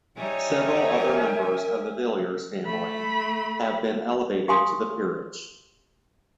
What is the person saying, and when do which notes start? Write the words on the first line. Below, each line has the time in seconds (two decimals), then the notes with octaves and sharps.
Several other members of the Villiers family have been elevated to the peerage.
0.17 G3 D#4 C#5 E5 G#5
0.99 A#4
2.66 A3 B5
4.48 G4 F5 G#5 C6 D#6